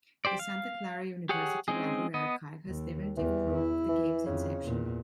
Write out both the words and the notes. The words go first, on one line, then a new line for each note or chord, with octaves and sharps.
The Santa Clara University Library Archive has definitive proof of the games inception.
G4 C5 D5
F5
G4 G#4 C#5 F#5
G#3 C4 C#4 D#4 G#4
B3 D#5
D#2
E2 E3 G3
E4
E3
F2 C#3
E2 A#2